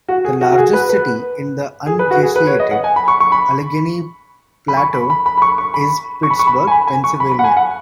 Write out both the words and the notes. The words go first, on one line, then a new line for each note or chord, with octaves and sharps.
The largest city in the Unglaciated Allegheny Plateau is Pittsburgh, Pennsylvania.
F#4
G#4
F#4
F#4
G#4
B4
B4
G#4
B4
F#4
G#4
B4
C#5
D#5
F#5
G#5
B5
C#6
C#6
B5
B5
C#6
B5
B5
B5
B5
C#6
C#6
B5
C#6
B5
C#6
B5
G#5
B5
G#5
C#6
B5
B5
F#5
G#5
F#5